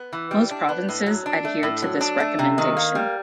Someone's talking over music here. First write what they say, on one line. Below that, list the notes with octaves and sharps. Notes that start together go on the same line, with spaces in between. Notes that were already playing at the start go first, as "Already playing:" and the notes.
Most provinces adhered to this recommendation.
Already playing: B3
E3
G3
D4
B3
A2
F#3
D4
A3
A2
F#3
D4
A3
C3
D#3
A#3
G3